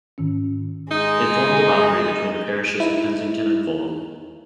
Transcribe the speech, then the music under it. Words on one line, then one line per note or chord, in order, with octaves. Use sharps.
It formed the boundary between the parishes of Kensington and Fulham.
G#2 D#3 C#4
G#3 D#4
D#4 E4